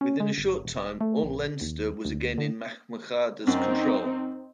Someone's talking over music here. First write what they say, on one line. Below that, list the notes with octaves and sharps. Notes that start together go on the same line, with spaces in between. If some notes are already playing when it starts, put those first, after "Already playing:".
Within a short time, all Leinster was again in Mac Murchada's control.
C#4
G#3
G1
E1
A3
A#1
D#2
D2
D3
F#2 C4 D#4